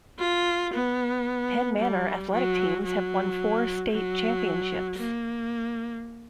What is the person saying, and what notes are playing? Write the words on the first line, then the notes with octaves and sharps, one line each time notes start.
Penn Manor athletic teams have won four state championships.
F4
B3
G3
F#3
F#3
F#3
A#3